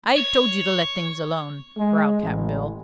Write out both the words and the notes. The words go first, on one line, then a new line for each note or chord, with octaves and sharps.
"I told you to let things alone," growled Cap'n Bill.
C#5
G#3
A1